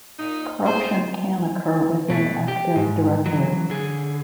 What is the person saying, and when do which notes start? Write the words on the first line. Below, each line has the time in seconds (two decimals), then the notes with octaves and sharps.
Corruption can occur within Active Directory.
0.18 A#2 D#4
0.65 G#4 C5
2.10 B2 A3
2.48 G4
2.76 G#2
3.26 E3 F#3
3.70 D3 G#4